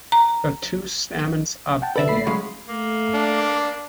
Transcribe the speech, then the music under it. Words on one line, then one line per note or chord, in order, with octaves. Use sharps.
The two stamens are bare.
A#5
F#5 G5 A5
D3 A4 B4 D5 E5
A3 B5 C7
C#3 F#3 G#3
A3 A#3
D4